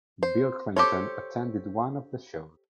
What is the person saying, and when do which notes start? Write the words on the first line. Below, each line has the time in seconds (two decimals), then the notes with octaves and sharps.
Bill Clinton attended one of the shows.
0.23 C5
0.77 G4 A4 C5 C#5